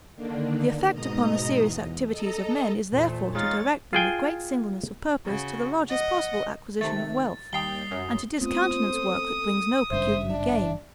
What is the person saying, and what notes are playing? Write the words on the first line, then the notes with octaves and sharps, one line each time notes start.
The effect upon the serious activities of men is therefore to direct them with great singleness of purpose to the largest possible acquisition of wealth, and to discountenance work that brings no pecuniary gain.
D3 D#3 A#3 D4
G#2 B2 D#5 A#5 D#6
E2
A4 D#5 A#5
E2 A#2 A3 C5
G#3 D#4 F4 C#5 A6
F4 G#4 G5 G#5
C#3 F#4
D#5 F#5
C3 D#3 A3 A6
D#2 G3 G5 D#6 C7 G7
F#2
A3 B3 C4 F4 C5 D#6
A4
G#1 G2 C#3 C5 E5
D4